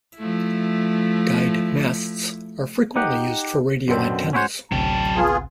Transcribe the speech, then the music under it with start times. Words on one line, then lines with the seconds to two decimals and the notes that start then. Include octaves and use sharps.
Guyed masts are frequently used for radio antennas.
0.17 F3 A3 E4
2.96 D#4 G4 F#5
3.88 F#2 B2 D3 C4
4.33 C#4 E4 F#4 C5 C#5
4.72 A1 D2 C3 F#3 G5 A5
5.16 B3 F4 G#4